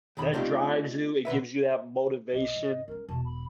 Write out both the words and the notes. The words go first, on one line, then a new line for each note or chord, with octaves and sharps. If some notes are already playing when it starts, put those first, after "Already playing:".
that drives you, it gives you that motivation.
B1 E2 D#3 B5
A3 C4 D4 D#4 F4 G4
B2 D3 B4 E5
B1 D#5
G#2
G#3 C#4 A#4
E1 B2 A5
B5